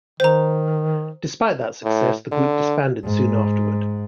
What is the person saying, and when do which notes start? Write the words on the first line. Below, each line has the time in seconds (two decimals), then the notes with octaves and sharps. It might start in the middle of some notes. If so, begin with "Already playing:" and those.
Despite that success, the group disbanded soon afterward.
0.20 D#3 C5 A#5
1.84 A2
2.32 D3
3.04 G#2